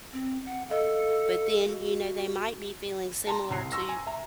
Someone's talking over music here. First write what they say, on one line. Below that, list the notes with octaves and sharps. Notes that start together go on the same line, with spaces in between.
But then, you know, they might be feeling similar to
C4
F#5
A4 D#5 F5
F#4
A5 A#5 C6
C2 A#5 C7
C6 C#6 E6 A#6
G#5
E5 A#5